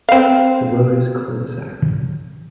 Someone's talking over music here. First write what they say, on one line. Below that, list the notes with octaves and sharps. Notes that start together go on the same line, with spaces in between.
The road is a cul-de-sac.
C4 F5